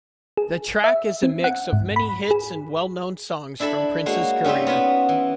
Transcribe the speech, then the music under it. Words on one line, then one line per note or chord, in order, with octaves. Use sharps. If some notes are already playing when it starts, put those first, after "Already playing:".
The track is a mix of many hits and well-known songs from Prince's career.
G#4
E5
C4
F#5
G#2
B5
G#4
D4 E4 A4 A5 B5
G#3 A#3 F#4 C#5
G3 C#4 D#4 F4 E5
B3 F4 F#4
E3